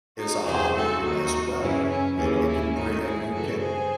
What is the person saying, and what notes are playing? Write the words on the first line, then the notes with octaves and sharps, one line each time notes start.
is a hobby as well. And it can bri and you can
D#4 F#4
E2 C3 E3 G#4 C5
F#4 A4
D#2 D#3 D#4 F#4
F#2 C#3 E3 C#4 E4
C#4
D#2 C#3 E3 C#4
C#4 E4
G#2 D#3 D#4 F#4
E4 G#4
F#2 C#3 E3 F#4 A4
G#4 C5